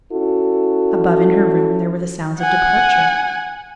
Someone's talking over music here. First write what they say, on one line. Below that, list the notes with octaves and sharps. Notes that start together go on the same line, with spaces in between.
Above in her room there were the sounds of departure.
C#4 E4 F#4 A4
F#5 G#5